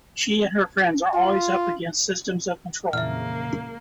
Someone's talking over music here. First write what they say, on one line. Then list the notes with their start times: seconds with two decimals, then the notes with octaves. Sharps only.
She and her friends are always up against systems of control.
1.14 F4
2.93 F2 A#2 C#3 E3 A#3 E5 F6